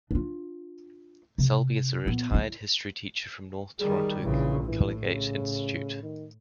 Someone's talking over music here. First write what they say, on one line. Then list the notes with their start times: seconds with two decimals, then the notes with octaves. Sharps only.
Selby is a retired history teacher from North Toronto Collegiate Institute.
0.11 D4 F4
1.38 C3
2.06 A#2 B3
2.31 D#4 E4
3.80 D#3 G3 G#4
4.23 A#1 C#3 E3
4.67 A2 E3
5.06 C#3
6.02 D#3